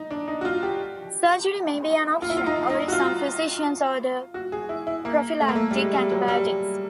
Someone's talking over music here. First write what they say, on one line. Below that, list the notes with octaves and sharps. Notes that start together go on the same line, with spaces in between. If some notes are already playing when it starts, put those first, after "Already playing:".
Surgery may be an option, or some physicians order prophylactic antibiotics.
Already playing: D#4
D4
D#4
F#4
F4
G4
F4
E4
F4
D#4
D#4
F#4
F4
F#4
G#4
E4
E4
A#3
A3
A#3
A3
G3
G#3
G3
F#3
G3